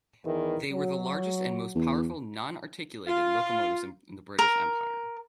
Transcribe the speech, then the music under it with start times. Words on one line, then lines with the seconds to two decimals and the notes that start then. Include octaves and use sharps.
They were the largest and most powerful non-articulated locomotives in the British Empire.
0.25 E2 D#3 E3
0.71 F#3
1.75 E2
3.07 F4
4.39 A#4